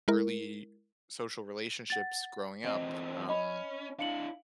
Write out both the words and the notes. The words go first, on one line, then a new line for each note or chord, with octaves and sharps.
early social relationships growing up, um
G#3 E4 A#4
F#5 A6
E2 C4 D#5
C#4 D#5 B5
D4 E4 F5 C#7 F#7